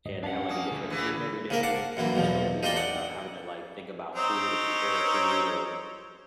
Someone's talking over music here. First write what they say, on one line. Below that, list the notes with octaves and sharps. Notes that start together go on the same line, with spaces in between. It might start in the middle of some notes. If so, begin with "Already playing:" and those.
and they had, like, a different theme every day, and it just felt good, like, not having to, like, think about food or prepare food or
D2 G#2 D#5
C#4 D4 F5 F#5 A5
A#3 G#5 D#6
D2 D3
E3 A3 A#3 G#4
C#3 A#3 A#4
F5 F#5 A5 D6
F#2 E3 A#3
B1 E2 F3
D#4 F4 C5 D5 G5 A5
D5 F#5
C4 C#4 D#4